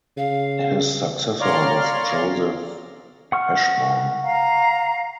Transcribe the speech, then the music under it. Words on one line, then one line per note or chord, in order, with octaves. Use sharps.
His successor was Joseph Eschborn.
C#3 F5
C#5 D5 F5 A#5 C6 F6
F#5 C#6 F6
F5 A#5